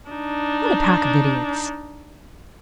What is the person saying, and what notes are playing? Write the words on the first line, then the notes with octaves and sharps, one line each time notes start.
What a pack of idiots!
D4 D#4